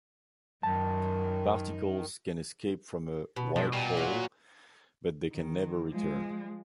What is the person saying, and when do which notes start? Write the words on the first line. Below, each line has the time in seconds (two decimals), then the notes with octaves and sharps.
Particles can escape from a white hole but they can never return.
0.63 F#2 D#3 A5
3.36 B2
3.56 B2 F3 G#3 D4
3.73 A#2 G3
3.95 E3 F#3 F#4
5.32 D#3
5.89 F3 G#3